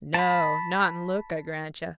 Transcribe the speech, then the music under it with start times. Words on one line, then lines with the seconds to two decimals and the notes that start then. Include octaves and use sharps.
'No! not in look, I grant yo'.
0.14 A5 B5